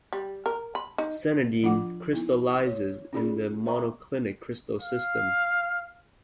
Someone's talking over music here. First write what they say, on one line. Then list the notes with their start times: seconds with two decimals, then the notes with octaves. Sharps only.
Sanidine crystallizes in the monoclinic crystal system.
0.13 G3
0.46 A#4
0.75 B5
0.98 D#4
1.63 F3 D4 F4 F#5 D6
2.13 B3 D#4 E4
2.67 C#5
3.13 C#4 D#4 F4 G#4 D5 B5
3.66 C5 E5 G5 A#5 C#6
4.82 F5